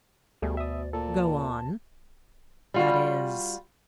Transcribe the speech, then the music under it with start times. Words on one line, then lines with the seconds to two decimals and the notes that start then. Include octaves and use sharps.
"Go on--that is?"
0.42 D2 B2 G3 A3 G#4
0.57 D5 E5 D#6
0.93 A#2 A4 A5
2.74 G3 F4 F#4